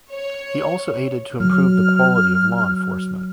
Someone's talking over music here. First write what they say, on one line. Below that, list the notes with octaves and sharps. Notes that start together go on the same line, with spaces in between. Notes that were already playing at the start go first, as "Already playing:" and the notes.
He also aided to improve the quality of law enforcement.
C#5
F#3 F6